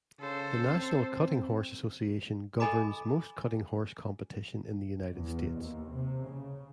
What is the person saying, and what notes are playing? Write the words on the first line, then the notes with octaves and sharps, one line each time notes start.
The National Cutting Horse Association governs most cutting horse competition in the United States.
C#3 A4 C5
C4
A4 D#5 G#5 A#5 B5 D6
E2
D#2
C3
C#3